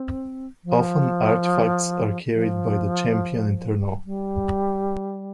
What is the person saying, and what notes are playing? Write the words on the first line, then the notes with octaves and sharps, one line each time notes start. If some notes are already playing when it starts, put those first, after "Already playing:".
Often artifacts are carried by the Champion Eternal.
Already playing: C4
F3
F3
G3